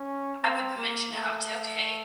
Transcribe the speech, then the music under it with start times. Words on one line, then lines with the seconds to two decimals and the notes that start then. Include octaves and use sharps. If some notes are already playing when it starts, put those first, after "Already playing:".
I would mention it," I would say, "Okay,
Already playing: C#4
0.43 C4
0.77 A#3
1.12 A3